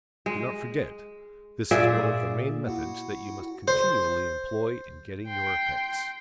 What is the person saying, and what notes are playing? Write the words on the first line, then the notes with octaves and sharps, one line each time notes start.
Do not forget: this is one of the main methods that you must continually employ in getting your effects.
G#3
A#2 G#4 D5 E5
E4 F#4 F#5
C5
G5 C6